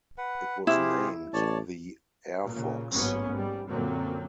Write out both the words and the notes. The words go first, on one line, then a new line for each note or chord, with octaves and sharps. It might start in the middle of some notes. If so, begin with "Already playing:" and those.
It was named the "Airfox".
B4 F#5
C3 E4 F4 G4 G#4
A1 C#5 D5 A5
A#2 C#3
A1 G#2 F#3 A#3 B3 C#4
G#2 G3
F#2 A#2 D3 F#3 A#3 C4